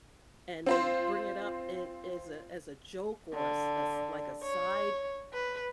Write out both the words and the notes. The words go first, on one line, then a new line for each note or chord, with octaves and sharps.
and they bring it up in as a as a joke or a s s like a side,
C4 F4 C5
D3
C#5
B4